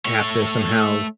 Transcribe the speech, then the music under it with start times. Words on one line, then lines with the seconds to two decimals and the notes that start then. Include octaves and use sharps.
have to somehow
0.05 A3 C#5